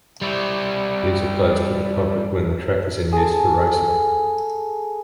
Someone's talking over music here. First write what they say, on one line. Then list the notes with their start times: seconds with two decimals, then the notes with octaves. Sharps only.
These are closed to the public when the track is in use for racing.
0.22 G3 E4
3.13 G#4 A4